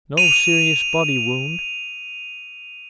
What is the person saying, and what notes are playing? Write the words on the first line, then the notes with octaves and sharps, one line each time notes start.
No serious body wound.
D#7 F7